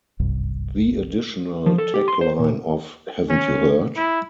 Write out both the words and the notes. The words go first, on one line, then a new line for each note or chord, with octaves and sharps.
The additional tagline of Haven't you heard?
F#1 C2 G2
F3
A4
G4
C6
C5
A#2
C#4
E4